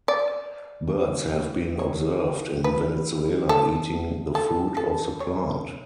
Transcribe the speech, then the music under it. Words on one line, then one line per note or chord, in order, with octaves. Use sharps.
Birds have been observed in Venezuela eating the fruit of the plant.
D5
C#5
B4
A4
A4
A4
C#5